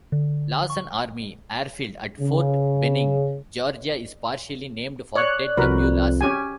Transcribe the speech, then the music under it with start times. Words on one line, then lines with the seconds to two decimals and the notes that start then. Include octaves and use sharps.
Lawson Army Airfield at Fort Benning, Georgia is partially named for Ted W. Lawson.
0.12 D3
0.70 C#6
2.20 C#3
5.16 C#5 D5 F#6
5.57 C2 F2 F#4 A#4 B4
6.21 C#4 G4 G#5